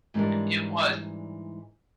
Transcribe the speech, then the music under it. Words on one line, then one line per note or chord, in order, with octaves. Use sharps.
it was.
G#2 E3 G3 D4 A#4